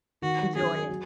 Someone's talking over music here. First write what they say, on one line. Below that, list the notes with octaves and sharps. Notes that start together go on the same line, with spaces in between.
Enjoy it.
D#3 F#4
F#3 C#4 F#4 G#4
F#3